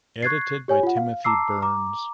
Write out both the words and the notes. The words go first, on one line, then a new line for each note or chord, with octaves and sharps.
Edited by Timothy Burns.
C#6 F#6 G#6 A6 C7
G4 C#5 G#5
F4 F#5
F5
A5 A#5 D6 E6 C7
A#5 D6